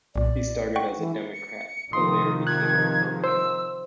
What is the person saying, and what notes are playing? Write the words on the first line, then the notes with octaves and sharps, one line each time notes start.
He started as a Democrat, but later became a Republican.
B1 A#2 D5
F#5 G5 C#6
E3
C#7
C3 D#3 F3 C6 D#6
F#6 G#6
C5 E6